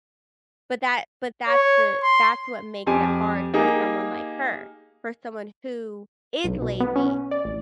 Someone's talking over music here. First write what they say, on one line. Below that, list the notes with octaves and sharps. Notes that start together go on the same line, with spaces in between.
but that but that's the that's what makes it hard for someone like her, for someone who is lazy
C#5
C6
F2 G4 G#5 D6
A#3 D#4 G4 G#4
B1
B2
B3
C#4
D5
A1